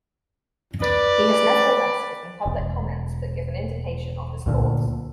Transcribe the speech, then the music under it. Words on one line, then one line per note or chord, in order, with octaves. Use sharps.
He has nevertheless given public comments that give an indication of his thoughts.
B4 D5
E1
D2 A#2 D3